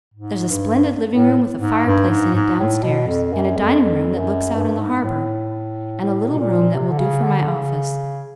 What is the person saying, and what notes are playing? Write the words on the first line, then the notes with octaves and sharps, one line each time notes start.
There's a splendid living room with a fireplace in it downstairs, and a dining room that looks out on the harbor, and a little room that will do for my office.
G#2
G2
A2
G#2
G2
G#2
G#2
A2
B2
F2
F#2
F2
F2
F#2
G2
G#2
A2
A2
B2
A#2
C3
D3
C#3
D3
C#3